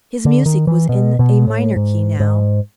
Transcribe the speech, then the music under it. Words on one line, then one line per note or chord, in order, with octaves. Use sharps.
His music was in a minor key now.
D3
D#3
E3
B2
B2
A2
G#2
G#2